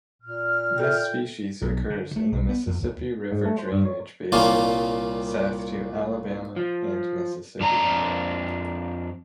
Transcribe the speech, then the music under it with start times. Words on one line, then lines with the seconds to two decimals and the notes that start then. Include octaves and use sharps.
This species occurs in the Mississippi River drainage basin south to Alabama and Mississippi.
0.22 A#2 F6
0.79 A4 E5 G5
1.62 B1
1.90 D3
2.16 A3
2.32 B1
2.49 B3
2.67 F2
2.82 D#2
3.32 G#2
3.45 A3
3.59 C5
3.72 G2
3.85 C#5
4.32 C2 A#2 G3 A#3 C#4 F4
6.56 F3
7.60 F2 D4 A#5